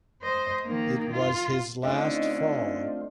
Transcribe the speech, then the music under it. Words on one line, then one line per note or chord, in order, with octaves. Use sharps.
It was his last fall.
C5 D#5
D#3 A#3
F4
D3 A3 C4 C#4 D#4 F4 D#5